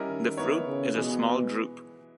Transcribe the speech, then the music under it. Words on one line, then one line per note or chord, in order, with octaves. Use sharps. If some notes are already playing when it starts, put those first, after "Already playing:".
The fruit is a small drupe.
Already playing: G3 C#4 E4 A#4 D#5
D#3
B3 E4 A#4 C#5
C#3
B2 E3 G#3 B3